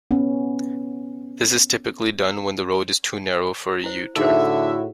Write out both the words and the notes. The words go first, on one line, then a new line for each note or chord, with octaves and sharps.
This is typically done when the road is too narrow for a U-turn.
B3 C#4
E4 C5
A2 D3 D#4 E4 F#4 G#4 C5 E5